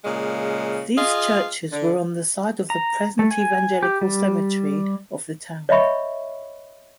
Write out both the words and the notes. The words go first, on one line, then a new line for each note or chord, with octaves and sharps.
These churches were on the site of the present Evangelical cemetery of the town.
A#2 C#3 G#3
F4 G#4 D#5 F5
D3
A#5
A3
G#5
G4
G3
C#5 D#5 E5 B5 C#6